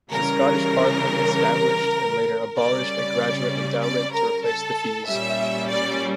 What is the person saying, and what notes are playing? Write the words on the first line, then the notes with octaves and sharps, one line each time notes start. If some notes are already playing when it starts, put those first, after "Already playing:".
The Scottish Parliament established, and later abolished a graduate endowment to replace the fees.
C#3 E3 G3 A#4
C#3 G3 C#4 D5
D5
A#4
A4
A#2 G3 C#4 E5
D5